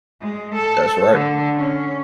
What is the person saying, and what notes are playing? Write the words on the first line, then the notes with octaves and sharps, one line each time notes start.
That's right.
G#3
A4
D3
C#4